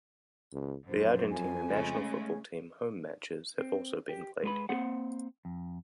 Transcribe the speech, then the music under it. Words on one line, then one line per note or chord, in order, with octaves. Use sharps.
The Argentina national football team home matches have also been played here.
C#2
A#1 F#2 C5
F2 G#5
C#3 G#3 A3
C#4
C4
G4
G#3 B4 B5
A#3 C4 C5 F#5
F2